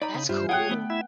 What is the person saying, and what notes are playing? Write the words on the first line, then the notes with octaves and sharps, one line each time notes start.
That's cool.
D#4 D5 A#5 B5
C#3
G2 G3 F4 C5 E5
G#4 C#5 F#5 G5 D#6 F#6
A3 B3
E4 E5